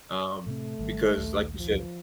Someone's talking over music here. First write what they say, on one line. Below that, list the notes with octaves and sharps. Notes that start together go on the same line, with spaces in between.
um, because like you said
A2 C3 A3 C4
G#1 D#3 G3
A#1 D#2
F3